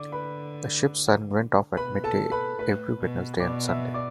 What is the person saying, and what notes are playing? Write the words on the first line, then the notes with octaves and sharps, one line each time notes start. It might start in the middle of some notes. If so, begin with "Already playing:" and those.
The ship's siren went off at midday every Wednesday and Sunday.
Already playing: D3 D5 D6
B4 B5
B2 B4 B5
A4 A5
B4 B5
A2 B4 B5
B2
B2 D5 D6
E5 E6
D5 D6